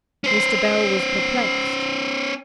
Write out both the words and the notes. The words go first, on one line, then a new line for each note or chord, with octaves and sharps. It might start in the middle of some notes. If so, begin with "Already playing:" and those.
Mr. Bell was perplexed.
C#4 C5